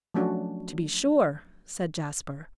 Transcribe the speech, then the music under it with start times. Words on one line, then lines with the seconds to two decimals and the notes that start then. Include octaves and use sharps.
"To be sure," said Jasper.
0.14 F3 F#3 A3 C#4 D4 F#4